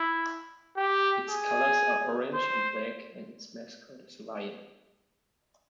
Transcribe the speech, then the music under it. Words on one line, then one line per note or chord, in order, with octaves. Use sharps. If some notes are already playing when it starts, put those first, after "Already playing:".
Its colors are orange and black, and its mascot is a lion.
Already playing: E4
G4
G#4
C5